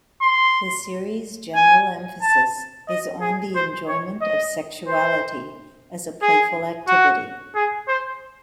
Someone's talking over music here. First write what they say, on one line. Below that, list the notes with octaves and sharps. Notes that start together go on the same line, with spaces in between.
The series' general emphasis is on the enjoyment of sexuality as a playful activity.
C6
G#5
A5
D#5
G#4
C5
C#5
D#5
C5
G#4
F#4
G#4
C5